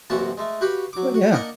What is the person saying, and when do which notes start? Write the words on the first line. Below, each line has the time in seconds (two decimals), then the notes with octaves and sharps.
Oh, yeah.
0.10 A1 F#2 C3 A#3 F#4 A5
0.38 G#3 A3
0.61 F#4 G4 B4 F5 B5
0.93 F#3 D6
1.14 F#4
1.32 A#3 D4 D#4 A#4 D#5 F#5